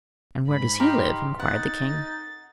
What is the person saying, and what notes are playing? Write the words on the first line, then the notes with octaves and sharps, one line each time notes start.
'And where does he live?' inquired the king.
G#2 B5
D#4 G4 F5 C6
D#4 F#5 A6